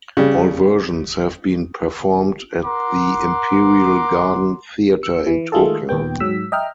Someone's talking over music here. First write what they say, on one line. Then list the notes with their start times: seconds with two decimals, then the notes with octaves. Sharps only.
All versions have been performed at the Imperial Garden Theater in Tokyo.
0.17 C#3 G3
2.65 A#4 F#5 A#5 C6 D6
5.03 E6 C#7
5.27 E3
5.52 D#3 G#3 A3 F4 G#4 A4
5.89 D#2 A#2 B3 G5
6.20 G#2 F#3 E6 B6
6.52 D#5 E5 G5 A#5 F6